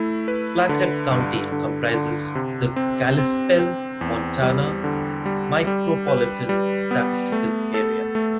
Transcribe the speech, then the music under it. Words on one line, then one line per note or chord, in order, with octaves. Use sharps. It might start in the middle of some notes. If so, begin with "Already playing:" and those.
Flathead County comprises the Kalispell, Montana Micropolitan Statistical Area.
Already playing: A3 E4
B4
D3
G2
D3
D3
C3
C4
C4
C4
E2
G3
D3
G3
G3
B4
G3
B3
A3
A4
A3